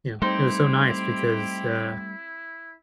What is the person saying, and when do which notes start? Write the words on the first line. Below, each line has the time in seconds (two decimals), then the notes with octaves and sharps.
you know, it was so nice because, uh,
0.22 G3 A3 C4 D#4 E4 G4 C5